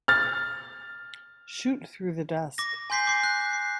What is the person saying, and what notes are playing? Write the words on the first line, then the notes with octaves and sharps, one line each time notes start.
Shoot through the desk.
F6 A6
D6 A#6
G#5 C6 G6 B6 C7
D6 C7
F#6
C7